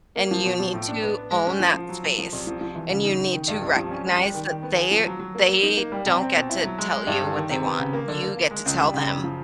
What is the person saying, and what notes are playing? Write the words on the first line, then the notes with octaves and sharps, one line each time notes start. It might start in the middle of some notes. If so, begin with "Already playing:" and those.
and you need to own that space, and you need to recognize that they they don't get to tell you what they want. You get to tell them.
A#3
F3
B2
B2
A2
D4
B3
B3
G#3
C#4
F3
F3
F#3
F#3
F3
C2
F3
F3
E3
C#3
D#4
D#4
D#3
G2
C2
F3
C#4
G#3
G3
D#3
D#3
B3
G#4
F3
F#3
F#3
A#3
A#3
D#4
A#3
G3
C3
C4
B2
E4
F#3
G#3
G#3
G2
D3
D#3
C3
B3
C#3
A#3
D3
A#3
A#3
G#3
C#2
G3
C#3
F#2
F3